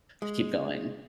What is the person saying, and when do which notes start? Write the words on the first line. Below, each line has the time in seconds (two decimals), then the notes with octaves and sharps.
to keep going.
0.22 G#3